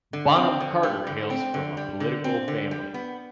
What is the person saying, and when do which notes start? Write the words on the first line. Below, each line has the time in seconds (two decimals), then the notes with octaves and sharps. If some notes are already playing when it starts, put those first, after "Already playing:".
Bonham-Carter hails from a political family.
0.13 D3
0.36 C4
0.60 D3
0.83 G3
1.07 D3
1.30 C4
1.54 D3
1.77 G3
2.00 D3
2.24 C4
2.48 D3
2.71 G3
2.94 B3